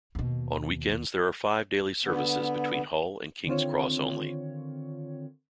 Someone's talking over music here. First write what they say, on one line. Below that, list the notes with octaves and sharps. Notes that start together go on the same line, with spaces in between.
On weekends there are five daily services between Hull and King's Cross only.
D#2 B2
D3 B3
D3 D#3 C4 F4 C#5